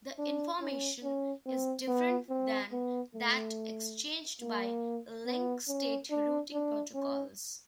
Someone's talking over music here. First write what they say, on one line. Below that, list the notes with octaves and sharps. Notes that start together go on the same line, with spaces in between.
The information is different than that exchanged by link-state routing protocols.
D4
C#4
C#4
C4
B3
C4
B3
A3
A#3
B3
C#4
D4
D4
C#4